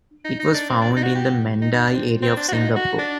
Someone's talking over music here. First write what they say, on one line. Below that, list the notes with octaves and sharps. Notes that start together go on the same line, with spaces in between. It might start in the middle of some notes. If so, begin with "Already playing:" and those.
It was found in the Mandai area of Singapore.
D#4
D#4
D4
C4
D4
D#4
F#4
G4
D#4
D#4
D4
C4
C4
D4
F#4
D#4
F#4
D4